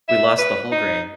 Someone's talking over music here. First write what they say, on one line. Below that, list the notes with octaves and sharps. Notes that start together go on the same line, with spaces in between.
We lost the whole grain.
E5
B4
D#4